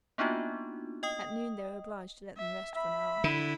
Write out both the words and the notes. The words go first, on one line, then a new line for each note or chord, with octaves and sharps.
At noon they were obliged to let them rest for an hour.
A#3 B3 D4 D#4 F4 F#4
D#5 G5 D#6
E5
E5 B5
D3 E4